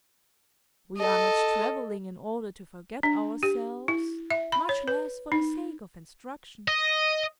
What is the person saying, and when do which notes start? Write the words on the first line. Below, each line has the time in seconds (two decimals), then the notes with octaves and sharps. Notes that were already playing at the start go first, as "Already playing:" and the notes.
We are not traveling in order to forget ourselves, much less for the sake of instruction.
0.98 A4 D#5
3.03 D4
3.43 G4
3.88 E4
4.30 E5
4.52 B5
4.69 C#5
4.88 B4
5.32 D#4
6.68 D#5